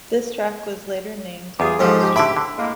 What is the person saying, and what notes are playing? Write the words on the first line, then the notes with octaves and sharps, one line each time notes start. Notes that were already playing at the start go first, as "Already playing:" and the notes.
This track was later named Union Street.
E2 F4 G4 G#4
G#2 F3 G4 A4
G4
A2 D3 E5 B5 D6
D3
A2 G#3 A#3